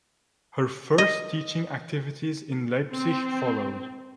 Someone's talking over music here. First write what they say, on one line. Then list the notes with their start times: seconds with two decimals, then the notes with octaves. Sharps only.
Her first teaching activities in Leipzig followed.
0.98 D#5
2.92 C4